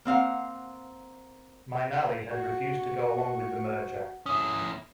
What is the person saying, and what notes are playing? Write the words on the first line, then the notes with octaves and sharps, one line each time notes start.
Mainali had refused to go along with the merger.
A#3 C4 F5 F#5
F#4 C#6
C#4 E4 D#6